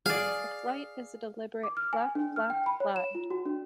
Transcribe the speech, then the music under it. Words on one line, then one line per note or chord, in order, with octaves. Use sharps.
The flight is a deliberate "flap-flap-glide".
G#4 D5 F5
D6
F6
G#5
D4
F6
G5
B5
C#5
E7
F4
F#4
D4